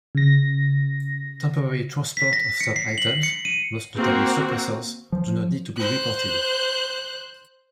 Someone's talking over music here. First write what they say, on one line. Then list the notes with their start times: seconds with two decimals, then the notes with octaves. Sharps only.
Temporary transport of some items, most notably suppressors, do not need to be reported.
0.15 C#3 A#6
2.17 B6
2.33 A#6
2.61 C#7
2.76 C7
2.98 F#7
3.23 C#7
3.45 D#7
3.97 A#3 C4 F#4
5.12 F3
5.77 C5 F#6